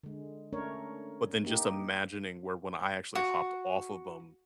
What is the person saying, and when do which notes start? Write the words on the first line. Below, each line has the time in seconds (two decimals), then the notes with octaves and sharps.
but then just imagining where when I actually hopped off of 'em
0.03 D3 G#3
0.53 A3 C#4 D4 A#4 C#5
1.44 A#3 D#4 G4
3.15 F#4